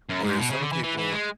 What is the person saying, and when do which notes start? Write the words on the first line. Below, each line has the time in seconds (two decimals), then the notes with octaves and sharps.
where some people
0.09 F#2
0.24 G#2
0.38 B2
0.50 C#3
0.62 D3
0.72 E3
0.84 E3
0.98 E3
1.13 G#3